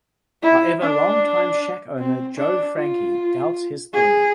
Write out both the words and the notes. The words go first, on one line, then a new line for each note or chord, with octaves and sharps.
However long-time Shack owner Joe Franke doubts this theory.
E4
D4
C4
D4
F4
G#4